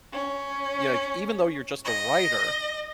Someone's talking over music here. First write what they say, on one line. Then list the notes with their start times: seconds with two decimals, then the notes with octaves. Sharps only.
y like, even though you're just a writer,
0.13 C#4
1.86 D#5